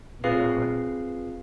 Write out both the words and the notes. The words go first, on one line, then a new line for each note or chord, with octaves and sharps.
you know, I
C4 F4 G#4 B4 F5 C7